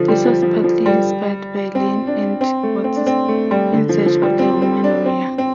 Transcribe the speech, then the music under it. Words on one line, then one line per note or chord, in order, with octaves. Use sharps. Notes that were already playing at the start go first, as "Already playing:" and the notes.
This was partly inspired by Lane and Worth's "In Search of the Woman Warrior".
Already playing: D3 F3
G3
F3
F3
F3
G3
C4
D4
C4
A3
C4
D4
C4
A3
G3
D3
F3
F3
G3
C4
C4
D4
C4
C4